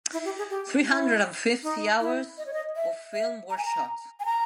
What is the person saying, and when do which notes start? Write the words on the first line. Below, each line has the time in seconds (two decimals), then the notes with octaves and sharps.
Three hundred and fifty hours of film were shot.
0.13 E4
0.25 G4
0.38 G#4
0.50 G4
0.88 E4
1.63 D#4
2.00 E4
2.38 D#5
2.46 C#5
2.53 D#5
2.76 E5
3.13 E5
3.50 A#5
3.57 G#5
3.65 A#5
4.20 G#5
4.25 A#5